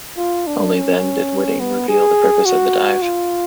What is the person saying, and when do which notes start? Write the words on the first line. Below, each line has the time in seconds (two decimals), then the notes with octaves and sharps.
Only then did Whiting reveal the purpose of the dive.
0.17 F4
0.47 D4
0.75 C#4
1.60 B3
1.89 G#4
2.46 F#4
3.02 F4